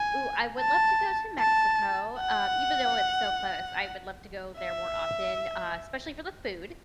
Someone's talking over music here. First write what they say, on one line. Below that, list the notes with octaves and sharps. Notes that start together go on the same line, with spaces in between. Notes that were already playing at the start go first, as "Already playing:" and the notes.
Ooh, I would love to go to Mexico, um, even though it's so close, I would love to go there more often, uh, especially for the food,
Already playing: G#5
A5
A5
F#5
E5